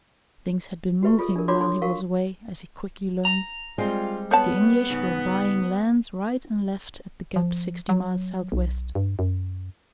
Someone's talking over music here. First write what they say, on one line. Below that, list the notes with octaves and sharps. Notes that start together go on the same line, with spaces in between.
Things had been moving while he was away, as he quickly learned. The English were buying lands right and left at the gap sixty miles southwest.
F#4 G4 B4 E5 C#6
F4 G#4 A4
D4 A#4
D4 F4 F#4 C#5 C6 D6
D4 A4 C6
F#4 A#4 F5 C#6
A#5
G3 G#3 C4 F4
B3 C5 C#5 A5
G#2 C#3
F3
F#3
B1
G2
F#2